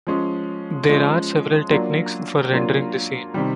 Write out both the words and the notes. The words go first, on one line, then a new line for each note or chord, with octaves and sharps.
There are several techniques for rendering the scene.
F3 G#3 C#4
F3 G#3 C#4
F#3 A#3 D4 F4
F#3 A#3 D4 F4
C3 D#3 G3